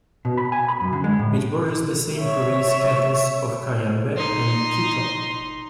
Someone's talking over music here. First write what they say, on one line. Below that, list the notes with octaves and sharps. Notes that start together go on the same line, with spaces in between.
It borders the same-province cantons of Cayambe and Quito.
B2
B5
G#5
B5
F#2
D3
G#3
A2
C#5 E5
D#4 C6